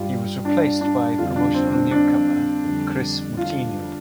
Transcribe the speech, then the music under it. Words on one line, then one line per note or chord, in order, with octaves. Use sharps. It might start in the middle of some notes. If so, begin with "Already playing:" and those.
He was replaced by promotional newcomer Kris Moutinho.
Already playing: G2 G3 F4
D4
D4
F2 D3 G3 F4
D4
C4
D4
D4
F2 D3 G3
F4